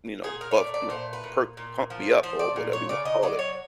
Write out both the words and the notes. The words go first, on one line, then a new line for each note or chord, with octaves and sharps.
you know, buff you know, perk, pump me up, or whatever you wanna call it,
A#2 G#4
A#4
C#5
A3 D5
D5
A#2 C5
B4
A#2
A#2
F3
F3 C5
D5
A#2
C#5
C#3 D5
D#5
F#3 D5
C#5